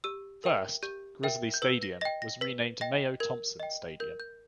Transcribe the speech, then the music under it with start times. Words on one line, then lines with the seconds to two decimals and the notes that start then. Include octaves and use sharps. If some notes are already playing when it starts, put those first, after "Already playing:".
First, Grizzly Stadium was renamed Mayo-Thompson Stadium.
0.04 G4 E6
0.44 A#4 E5 G5
0.83 G4 G6
1.23 A#4 E5 G5
1.54 G6
1.62 B4 E6
1.83 A#6
2.01 D#5 G5 A#6
2.22 A#6
2.41 B4 B6
2.81 D#5 G5 A#6
3.20 A#4 G#6
3.60 D#5 G5
4.00 A#4 G6
4.20 G6